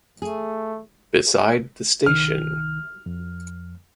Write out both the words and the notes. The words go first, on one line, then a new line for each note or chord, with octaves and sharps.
Beside the station.
A3 G#4
C2 D#3 F6
F2